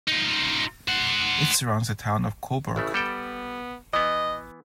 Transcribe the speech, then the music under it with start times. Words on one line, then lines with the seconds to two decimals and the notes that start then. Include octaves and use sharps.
It surrounds the Town of Cobourg.
0.07 D#4 F4
0.88 C5 F#5
2.76 A1 C#3 A3 E4
2.94 G3 B3 A4 G5
3.94 E3 B3 D#5